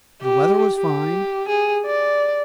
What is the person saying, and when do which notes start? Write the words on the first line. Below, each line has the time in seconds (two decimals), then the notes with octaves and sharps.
The weather was fine.
0.21 G4
0.77 G4
1.48 G#4
1.86 D5